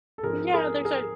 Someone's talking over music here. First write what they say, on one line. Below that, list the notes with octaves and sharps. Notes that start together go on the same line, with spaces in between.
Yeah, there's a
A4
G#2 F3 G#3 C4 D#4 G#4 A#4
G#4 A#4
G#4 A#4